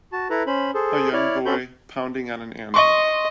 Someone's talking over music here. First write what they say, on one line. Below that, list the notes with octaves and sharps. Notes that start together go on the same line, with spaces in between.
A young boy pounding on an anvil.
F#4 A5
E4 A4 B4 A#5
C#4 C5 B5
G#4 A4 C5
E4 C#5 D5 F6
C4 C#4 F#4 A4 B5 G6
D#5 C6 C#6